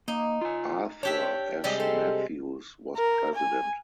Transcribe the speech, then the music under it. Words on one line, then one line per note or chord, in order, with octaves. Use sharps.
Arthur S. Matthews was President.
A#3 D#4
F4 G#5
D4 G4 C#5 E5
C3 G3 G#3 D5 D#5
A4 C5
A#4
G#5